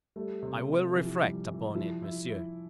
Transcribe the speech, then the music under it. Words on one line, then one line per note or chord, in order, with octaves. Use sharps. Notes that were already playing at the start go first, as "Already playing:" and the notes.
"I will reflect upon it, monsieur."
G3 A3
C3
C3
E3 F3
G3
E3
F3 E4
E4
E4